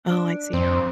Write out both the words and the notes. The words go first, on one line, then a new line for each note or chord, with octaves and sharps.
Oh, I see.
D4
F2 C4